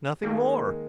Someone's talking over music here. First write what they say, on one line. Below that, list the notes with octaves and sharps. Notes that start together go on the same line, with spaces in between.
Nothing more.
D#3 G#3 A#3 D#4 G#4